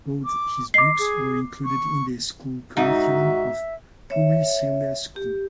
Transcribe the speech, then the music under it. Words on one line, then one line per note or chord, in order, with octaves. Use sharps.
Both his books were included in the school curriculum of Puri Zilla School.
D6
D#5 D6 C7
G#4
C#6
G#2 D#4 F#4 E5
C#5 E5
G4